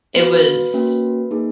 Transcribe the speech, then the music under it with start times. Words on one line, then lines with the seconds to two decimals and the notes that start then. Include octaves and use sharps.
It was
0.16 B3 F#4 B4
0.74 A#3 C#4 F#4
1.31 A#3 D#4 G#4